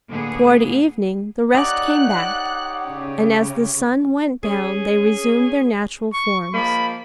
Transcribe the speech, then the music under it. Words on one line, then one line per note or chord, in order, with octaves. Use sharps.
Toward evening the rest came back, and as the sun went down they resumed their natural forms.
A2 D3 A#3 B3 G#4
D#4 G4 C#5 D5 F#5 F#6
C#3
C#4 G#4
C#6
F3 G#3 A#3 B5